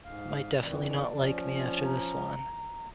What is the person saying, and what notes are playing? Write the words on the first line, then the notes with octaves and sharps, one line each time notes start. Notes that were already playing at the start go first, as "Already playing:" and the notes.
Might definitely not like me after this one.
G#2 F5
F2 D#3 E3 D5
F3 C#4
A#5